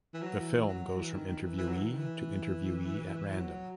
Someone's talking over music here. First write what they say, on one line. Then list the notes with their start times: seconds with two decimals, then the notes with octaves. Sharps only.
The film goes from interviewee to interviewee at random.
0.14 E3
0.22 F#3
0.38 E3
0.68 F#3
0.98 E3
1.13 D#3
1.27 D#3
1.42 E3
1.57 E3
1.68 F#3
1.77 E3
1.91 D#3
1.97 E3
3.37 F#3